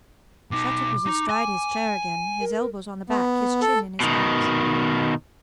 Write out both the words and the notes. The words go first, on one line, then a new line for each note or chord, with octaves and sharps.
Shattuck was astride his chair again, his elbows on the back, his chin in his hands.
B2 D#4 D6
D#4
G#5
A#4
B3
A4
B2 D#3